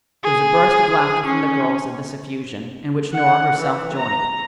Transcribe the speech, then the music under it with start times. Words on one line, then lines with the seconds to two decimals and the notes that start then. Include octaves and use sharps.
There was a burst of laughter from the girls at this effusion, in which Nora herself joined.
0.24 G#4
1.26 C#4
3.14 F#5
3.62 E3
3.97 A#5